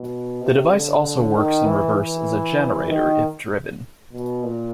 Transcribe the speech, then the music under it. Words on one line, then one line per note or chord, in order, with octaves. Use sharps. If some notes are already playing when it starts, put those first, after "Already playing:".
The device also works in reverse as a generator if driven.
Already playing: B2
C3
D3
D#3
E3
E3
D#3
B2
A#2